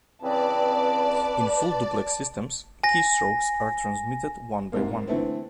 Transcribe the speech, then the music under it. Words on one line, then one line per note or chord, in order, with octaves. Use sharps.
In full-duplex systems, keystrokes are transmitted one by one.
C#3 E3 C4 B4 D5 A5
G#5 A#6
G#2 C3 A#3
D3 E3 A3 B3 C4